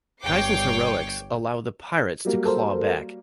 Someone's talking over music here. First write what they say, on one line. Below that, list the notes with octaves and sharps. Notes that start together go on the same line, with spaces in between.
Kison's heroics allowed the Pirates to claw back.
G1 C#5 G5 D6 C7 C#7
F#3 G3 A#3
A4 A#4 C5